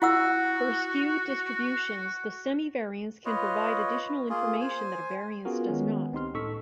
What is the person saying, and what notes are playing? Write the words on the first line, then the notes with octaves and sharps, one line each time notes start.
For skewed distributions, the semivariance can provide additional information that a variance does not.
E4 F#4 F#5 E6
F4 B4 C#5 D#5
A#3 F4 G#4
C5 G#5
B3 C#4 F4 F#4 G#4 A#4
D#3 G#3 B3 C#4
C#2 C4 D#4 G4 C6 F6
A2 D#4 A4 C#6 E6 B6